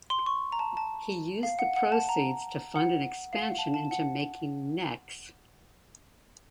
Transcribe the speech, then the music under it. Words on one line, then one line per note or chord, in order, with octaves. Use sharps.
He used the proceeds to fund an expansion into making necks.
C6
C#6
A#5
A5
A5
F5
F#5
F#5
A5
A#5
F#5
F5
F#5
A5
A5
F#5